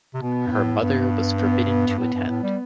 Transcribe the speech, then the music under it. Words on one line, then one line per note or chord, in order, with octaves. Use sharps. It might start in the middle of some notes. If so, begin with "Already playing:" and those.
Her mother was forbidden to attend.
C3
B2 B3
G2
A2
G2 B3
B3
B3
G2
A2 B3
G2
A2
G3